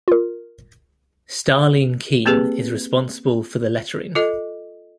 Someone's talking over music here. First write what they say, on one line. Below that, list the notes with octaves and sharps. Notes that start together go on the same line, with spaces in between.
Starling Keene is responsible for the lettering.
F4 A#4
A#3 C4 G4 G#4 B4
F4 A4 D#5